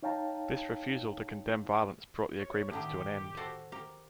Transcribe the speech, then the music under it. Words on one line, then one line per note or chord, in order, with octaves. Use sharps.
This refusal to condemn violence brought the agreements to an end.
D#4 C#5 F5 G5 A5 A#5
C#5
A2 D3 D#3 G4
F#4 A4 C5
G4 A#4